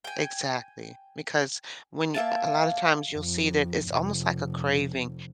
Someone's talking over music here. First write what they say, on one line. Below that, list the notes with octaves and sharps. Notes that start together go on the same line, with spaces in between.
Exactly, because when you a a lotta times you'll see that it's almost like a craving,
G5 G#5
A#3 E5 A5
F2
F1